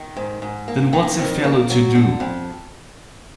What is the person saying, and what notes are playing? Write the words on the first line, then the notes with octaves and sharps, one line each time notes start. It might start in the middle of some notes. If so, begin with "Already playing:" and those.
Then what's a fellow to do?
Already playing: D#3
G#2
G#2
A#3
D#3
F2
A#3
F#3
D3
F2